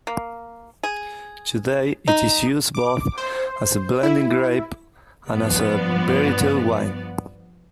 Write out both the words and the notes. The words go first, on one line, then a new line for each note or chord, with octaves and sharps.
Today it is used both as a blending grape and as a varietal wine.
A#3
G#4
D#4
D6
C5
E4
G2 F3 B3 D5